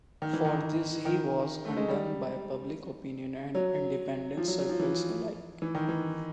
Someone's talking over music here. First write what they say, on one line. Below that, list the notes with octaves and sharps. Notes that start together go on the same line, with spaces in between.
For this he was condemned by public opinion and independence circles alike.
D#3
E3
D#3
D#3
A3
G#3
G3
F#3
F3
F#3
F#3
F3
E3
E3
D#3
E3